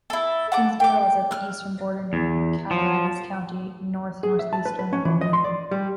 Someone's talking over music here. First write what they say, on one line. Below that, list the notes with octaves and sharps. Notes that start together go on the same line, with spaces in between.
Hinsdale is at the eastern border of Cattaraugus County, north-northeast of Olean.
E4 A4
F#5 A5 D6
G5 D6
F6 F#6
E2
F3
G#4
E5
A5
B4
B4
C#4
E3
D#5
C6
D5
G3